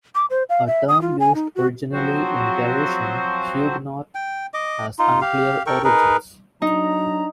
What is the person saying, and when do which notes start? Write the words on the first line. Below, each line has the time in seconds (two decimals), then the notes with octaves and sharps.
A term used originally in derision, "Huguenot" has unclear origins.
0.15 D6
0.30 C5
0.49 F5
0.67 E5
0.88 D#6
1.01 F4
1.20 G#5
1.35 D#4
1.56 F#4
1.92 F3 F#3 C4 F#4 C5
4.15 G5
4.54 D#5 D6
4.99 D#4 F4
5.21 G4 F5
5.66 A4 A#4 G5 C#6
5.84 D#4 G#4 A#4 B4
6.62 F#3 D4 D#4 A#5